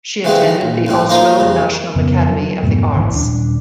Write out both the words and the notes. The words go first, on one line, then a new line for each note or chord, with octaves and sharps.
She attended the Oslo National Academy of the Arts.
C#3 E3 G#3 A3 B3 C4
D#3 E3
A#1
C2 A2 C4
F3 A#3 D#4 A#4 C5
F2 C#3
F2 C#3 B3
F#3
F2 G#2 B2 A3
G#1 D2 E3
D#1 D4